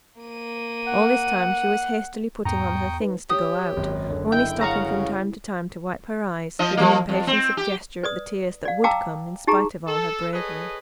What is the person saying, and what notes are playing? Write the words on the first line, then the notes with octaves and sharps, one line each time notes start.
All this time, she was hastily putting on her things to go out, only stopping from time to time to wipe her eyes, with an impatience of gesture at the tears that would come, in spite of all her bravery.
A#3 D#7
F#5
E2 G#2 G5 A#5 C#6 D#6
D#4 B4
G4 C#5 D#6
G#1 F#2
F#1 D3
E4 D#5 G5
C#3 E4 F#4 F5 A#5
F3 D#5
F3 A#3
F2
C4
G4
B4 D5 D#6
D5 F5
F5 G5 A5 A#5 D6 E6
D#4 G4 G#4 A#5
A4
G#4 A4 B4 C#5 D#5